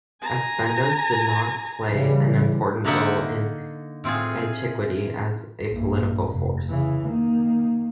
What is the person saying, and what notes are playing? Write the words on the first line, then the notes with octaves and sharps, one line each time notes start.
Aspendos did not play an important role in antiquity as a political force.
G#5 A#5
C#3 E3 G3
D3 A#3 D#4 E5 F#5 G5
A2 C4 F4 G#4
A#1 G2
F1
C#3 E3
D#3 A#3